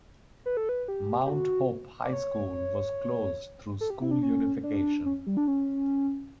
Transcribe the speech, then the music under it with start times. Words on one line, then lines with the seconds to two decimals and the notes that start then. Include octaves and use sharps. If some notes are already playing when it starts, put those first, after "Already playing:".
Mount Hope High School was closed through school unification.
0.46 B4
0.57 A4
0.69 B4
0.88 G4
1.26 G4
1.30 F#4
2.04 D5
2.13 C#5
3.81 A4
3.90 G4
4.02 E4
4.11 D4
4.23 C#4
4.63 D4
5.05 C#4
5.27 G3
5.37 D4
5.48 C#4